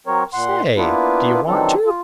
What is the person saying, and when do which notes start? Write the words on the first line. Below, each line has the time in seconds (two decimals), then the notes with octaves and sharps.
Say--do you want to?'
0.07 F#3 C4 A#4 C#5
0.34 A#2 F#5 C6
0.77 A#3 B3 D4 E4 F4 B4
1.47 D#3 E3 F#3 C4 D4 A4
1.86 F4